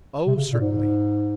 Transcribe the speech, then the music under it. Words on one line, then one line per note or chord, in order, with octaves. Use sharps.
'Oh, certainly.
C3
C#3
A#2
G#2